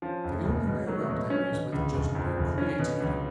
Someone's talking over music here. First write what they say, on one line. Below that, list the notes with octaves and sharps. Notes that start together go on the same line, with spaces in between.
The only way around that is with judgment and creativity.
F3 C#4
F2
A3
F1
B2 G#3
B3
F#3
A3
B2
A3
F3 C#4
B2 D3
C#2 C#3
F1 C#3
F2
F3
F1
F3 C#4
B2
D3
C#2
F#3